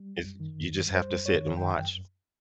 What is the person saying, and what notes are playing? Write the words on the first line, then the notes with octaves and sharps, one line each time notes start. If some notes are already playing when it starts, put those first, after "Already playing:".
It's j you just have to sit and watch.
Already playing: G3
F#2
D#3
F#2
G3
C5
F#2
C#5
D#3
F#2 G5